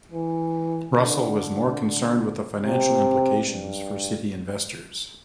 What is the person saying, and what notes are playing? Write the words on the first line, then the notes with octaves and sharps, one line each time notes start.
Russell was more concerned with the financial implications for City investors.
E3
D3
C3
G2